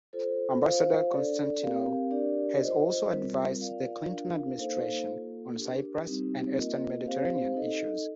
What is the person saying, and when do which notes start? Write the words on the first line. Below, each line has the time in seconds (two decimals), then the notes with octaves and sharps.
Ambassador Constantinou has also advised the Clinton Administration on Cyprus and Eastern Mediterranean issues.
0.13 F4 A4 C5
0.62 F4 C5 F5
1.11 D4 A4 D5
1.62 C4 G4 A#4 F5
2.11 D4 G4 A#4 D5
2.60 F4 C5 D#5
3.10 G3 C4 F4 A#4
3.59 F4 A#4 D5 F5
4.08 D4 F4 A#4 F5
4.58 A#3 D#4 A4 C5 F5
5.07 A#3 F4 A4
5.57 D4 G4 A#4
6.06 G3 C4 D#4 G4
6.56 A#3 F4 A#4 D#5
7.05 C4 G4 C5 F5
7.54 D#4 A4 D#5